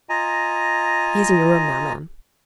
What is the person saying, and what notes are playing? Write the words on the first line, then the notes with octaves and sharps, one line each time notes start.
He is in your room now, ma'am.'
F4 D#5 G#5 A#5